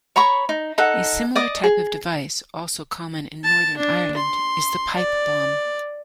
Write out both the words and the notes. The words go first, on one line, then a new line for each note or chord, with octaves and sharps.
A similar type of device, also common in Northern Ireland, is the pipe bomb.
C#5 A#5 B5 C#6
D#4
D#4 A4 F#5
D5 D#5 D6
G#4
A5
D4
C6
D5